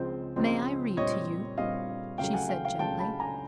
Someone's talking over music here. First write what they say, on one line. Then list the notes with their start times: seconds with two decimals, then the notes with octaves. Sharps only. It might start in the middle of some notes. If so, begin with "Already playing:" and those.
"May I read to you?" she said, gently.
Already playing: C#2 C#3 F3 G#3 C4 C5
0.36 C#2 C#3 F3 G#3 C4
0.97 A#2 G3 C4 C#5 D#5
1.58 A#2 G3 C4 D#5 F5
2.18 C#2 C#3 F#3 A3 F5 G5
2.33 F#5 G#5
2.49 F5 G5
2.65 F5 G5
2.79 C#2 C#3 F#3 A3 G5 A5
2.99 A5 B5
3.20 G#5 A#5